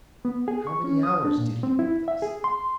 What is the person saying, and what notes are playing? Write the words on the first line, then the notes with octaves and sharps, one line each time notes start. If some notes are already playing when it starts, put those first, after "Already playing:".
How many hours did he weep thus?
B3
G#4
C#6
C#4
D#6
D4
A#2
C4
E4
E5
G#4
C6